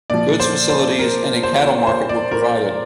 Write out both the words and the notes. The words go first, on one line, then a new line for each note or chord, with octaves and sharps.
Goods facilities and a cattle market were provided.
A#2 F3 D5
C5
C5
A#4
C5
C5
D5
A#4